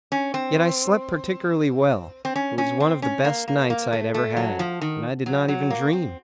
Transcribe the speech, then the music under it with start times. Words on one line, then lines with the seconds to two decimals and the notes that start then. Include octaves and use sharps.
Yet I slept particularly well; it was one of the best nights I had ever had, and I did not even dream.
0.12 C#4
0.34 C4
2.25 C4
2.36 C#4
2.58 C#4
2.80 C4
3.02 C#4
3.25 A#3
3.48 A#3
3.70 A#3
3.93 A3
4.14 A3
4.37 F#3
4.59 F3
4.81 D#3
5.26 F#3
5.48 F#3
5.70 A#3
5.93 C4